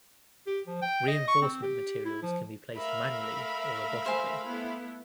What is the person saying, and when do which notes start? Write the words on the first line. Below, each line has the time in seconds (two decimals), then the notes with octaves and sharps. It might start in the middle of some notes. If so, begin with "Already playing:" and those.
Reinforcement materials can be placed manually or robotically.
0.47 G4
0.67 F3
0.82 G5
1.08 D#5
1.28 C#6
1.42 C4
1.62 G4
2.05 E4
2.23 F3
2.76 A3 A#4 E5 F5 B5
4.06 C5 G#5
4.45 A3 B3 E4